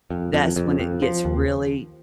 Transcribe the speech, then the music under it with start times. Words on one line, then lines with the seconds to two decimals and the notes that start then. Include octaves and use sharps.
that's when it gets really
0.10 F2
0.33 F2
0.56 F2
0.80 F2
1.02 F3
1.25 D#2